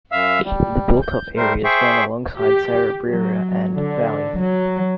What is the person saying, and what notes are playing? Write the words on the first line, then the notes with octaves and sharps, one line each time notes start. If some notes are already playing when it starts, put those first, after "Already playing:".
The builtup areas run alongside Sarab River and Valley.
F#2 E5 F5 E6
G3
G6
G3 A3 A#4 C5
G#4 C5 E5 G5 C#6
G4
F#3
D3
F#3